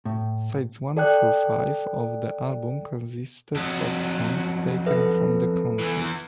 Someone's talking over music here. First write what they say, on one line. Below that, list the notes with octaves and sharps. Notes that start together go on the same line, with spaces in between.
Sides one through five of the album consisted of songs taken from the concert.
A2
A4 D5 G5 F#6
F2 F#3
A4 B4 E5
E2 E3